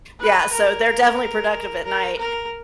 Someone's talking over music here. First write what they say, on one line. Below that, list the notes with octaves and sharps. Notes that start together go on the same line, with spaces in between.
yeah, so they're definitely productive at night.
B4
A#4
A#4
A#4